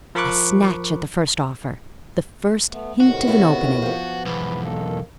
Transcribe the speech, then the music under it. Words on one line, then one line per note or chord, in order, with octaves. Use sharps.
I snatch at the first offer, the first hint of an opening.'
F3 A#4 B5 C#6 D6 F#6
A3 B3
A2 C3 D#3 F#4
C#3 B3 E4
F3 B3
B1 E2 B4
D#3 A#3 A4